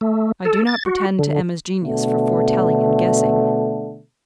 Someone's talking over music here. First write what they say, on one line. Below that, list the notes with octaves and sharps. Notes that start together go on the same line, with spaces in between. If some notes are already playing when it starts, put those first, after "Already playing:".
I do not pretend to Emma's genius for foretelling and guessing.
A3
A4
A6
F#4
D3
B2 D3 A3